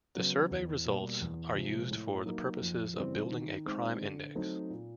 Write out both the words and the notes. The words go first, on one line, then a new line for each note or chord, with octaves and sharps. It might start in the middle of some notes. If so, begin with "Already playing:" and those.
The survey results are used for the purposes of building a crime index.
C#3 F#3 B3
E2
B2 G3 A#3
E2
C3 F3 G#3
A2
F#3 A#3 D#4
F2
C#3 E3 G3 C4
D#3
G#3 C4 D#4
D3
F#3 A3 C4 D#4
A#2